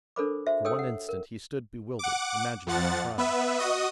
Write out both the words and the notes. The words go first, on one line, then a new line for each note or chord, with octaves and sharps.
For one instant he stood bewildered,--imagining a crime.
D4 A4 A#4 C5 B5 D6
F#4 C5 E5
A4 C#5 G5 D#6 E6
F#5
A#4
F#5 D6
F2 F3 F#5 A6
B3 B4 E5
F#4 D#5 D#6